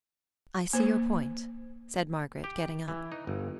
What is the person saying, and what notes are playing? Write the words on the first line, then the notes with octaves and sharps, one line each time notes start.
"I see your point," said Margaret, getting up.
A#3 C5
G4
E3
D#4
G1